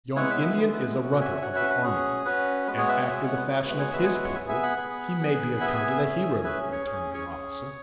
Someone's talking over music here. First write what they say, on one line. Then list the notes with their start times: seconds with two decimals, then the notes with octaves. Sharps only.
"Yon Indian is a 'runner' of the army; and, after the fashion of his people, he may be accounted a hero," returned the officer.
0.16 G#3 B3 E4 C#5 F#5
0.30 B4 E5
0.45 B4
0.58 G#3 B3 E4 G#4
0.72 B4
1.00 C#4 F#4
1.13 F#5
1.21 E5 G#5
1.42 C#4 F#4 C#5 F#5
1.55 B4 E5
1.70 B4
1.83 C#4 F#4 G#4
2.25 C#4 F#4 B4
2.68 G#3 B3 F#4 B4
2.78 G#4 C#5
2.88 B4 E5
2.99 C#5 F#5
3.09 G#3 B3 F#4 E5 G#5
3.24 C#5 F#5
3.37 B4
3.51 G#3 B3 F#4 G#4 C#5
3.65 B4
3.79 G#4 C#5
3.93 G#3 B3 F#4 B4 E5
4.03 G#4 C#5
4.14 B4 E5
4.24 C#5 F#5
4.35 B3 G#4 E5 G#5
4.49 E5 G#5
4.63 F#5 B5
4.77 B3 G#4
5.18 B3 G#4
5.61 B3 G#4 E5 G#5
6.03 C#4 G#4
6.44 C#4 G#4 B4 E5
6.72 G#4 C#5
6.86 C#4 G#4
7.14 G#4 C#5
7.28 C#4 G#4